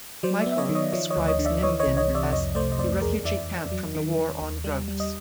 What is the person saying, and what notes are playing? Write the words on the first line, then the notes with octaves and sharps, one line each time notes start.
Michael describes Nimbin as "a refugee camp from the war on drugs".
F#3 C5 D5
D5 E5
B3
E5
C#5 D#5
D#3
C#5 D#5
F3 C#5 D#5
C#5 D#5
D2
C#5 D#5
D3
D5 E5
E3 C#5 D#5
C#5 D#5
C2
C#5 D#5
C3
D5 E5
F2 C#5 D#5
A3 C5 D5
D#5
F2 C5 D5
E2 G#4 A#4
E3 D5 E5
E2
F#3
D#3
D#3
D#2
G3
G3
D#5